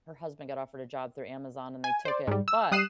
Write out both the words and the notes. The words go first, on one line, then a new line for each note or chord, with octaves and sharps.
her husband got offered a job through Amazon and they took it, but
G#5
C5 D5
G#2 G3
E6
G3 D#6 F#6 C7 D#7 E7